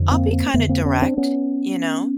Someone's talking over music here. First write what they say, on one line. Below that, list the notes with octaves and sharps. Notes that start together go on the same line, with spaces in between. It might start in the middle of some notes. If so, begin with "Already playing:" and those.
I'll be kinda direct. You know?
Already playing: F2 D3
A#3 C4
A#3 C4
F2 D3 A3 B3
A#3 C4
B3 C#4
C4 D4
B3 C#4